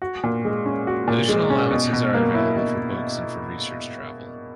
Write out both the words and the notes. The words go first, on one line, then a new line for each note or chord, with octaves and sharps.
Additional allowances are available for books and for research travel.
F#4
A#2
G#3
C#4
F#4
A#2
G#3
C#4
B2
B2
A#3
E4
B2